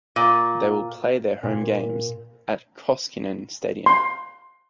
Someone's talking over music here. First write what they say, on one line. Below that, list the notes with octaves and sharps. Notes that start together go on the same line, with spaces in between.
They will play their home games at Koskinen Stadium.
A#2
A#2
C6